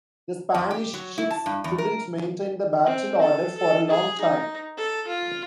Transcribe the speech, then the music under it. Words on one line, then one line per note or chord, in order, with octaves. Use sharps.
The Spanish ships couldn't maintain the battle order for a long time.
F2
G4
F#3
E4
A5
G2
E2
A#4
C4
A4
A4
G#4
D#4
A4
F4